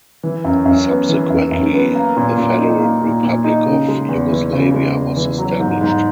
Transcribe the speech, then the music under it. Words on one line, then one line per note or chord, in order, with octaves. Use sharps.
Subsequently, the Federal Republic of Yugoslavia was established.
E3
F#2
F#2
B3
E3
F#2
F#2
B3
A#3
A#2
A#2
D#4
A#3
A#2
A#2
D#4
C#3
G#3
E2
E3
C#3
G#3
E2
E3
F#3
G#2
G#2